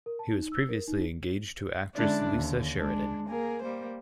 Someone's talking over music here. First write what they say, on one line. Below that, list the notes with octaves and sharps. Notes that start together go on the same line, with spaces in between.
He was previously engaged to actress Lisa Sheridan.
A#4
A5
D#4
E6
A#4
D#4
D3 G#3 C#4 D4 E4 D5
D#2 D3
G#3 D4
A#3 G#4 A#4
G3 A#3 C5